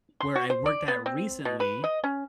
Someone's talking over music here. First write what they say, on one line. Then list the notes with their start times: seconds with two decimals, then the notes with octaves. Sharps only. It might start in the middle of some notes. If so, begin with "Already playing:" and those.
where I worked at recently
0.20 C6
0.36 F#4
0.50 C5
0.66 D5
0.88 B3
1.06 C4
1.45 B2
1.60 B4
1.84 D#5
2.04 C#4